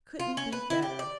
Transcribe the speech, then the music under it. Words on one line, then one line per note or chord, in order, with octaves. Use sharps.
'Couldn't be better.'
F4
C#4
B4
E4
G4
D5